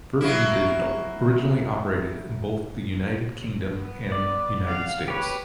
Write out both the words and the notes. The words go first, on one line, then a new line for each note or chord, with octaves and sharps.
Virgin Digital originally operated in both the United Kingdom and United States.
F#3 A#3 E4
B3
D5
F5 F#5
G4 B4 C#5